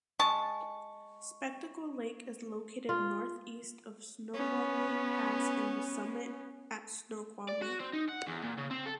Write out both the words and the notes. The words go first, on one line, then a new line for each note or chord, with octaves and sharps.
Spectacle Lake is located northeast of Snoqualmie Pass and The Summit at Snoqualmie.
G#3 A5 C#6
F4
B3 C#4
D5
F#4
C4
D#4
F#5
E2
A#2
C#3
C4
A4